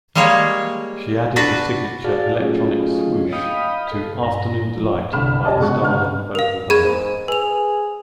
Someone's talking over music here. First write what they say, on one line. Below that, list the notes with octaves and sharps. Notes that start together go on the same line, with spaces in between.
She added the signature electronic "swoosh" to "Afternoon Delight" by the Starland Vocal Band.
G3 G#3 A#3 G#4 C#5
D4 F#4 B4
F#4 G#4 D5 F5 A5
F#3 A3 C#4 D#4 F4 G#4
D#5 F5 G5 B5 D#6
A4
G2 A#5
F3
G1 C2 D3 B5 F6 E7
G4 C#5 D#5 G#5 A5
F#1 B2 G#3 G#4 C#6 F#6
D2 G#2 G4 F6
A#4 F5
G#4 B5 G#6
G#2
G#4 B4 F7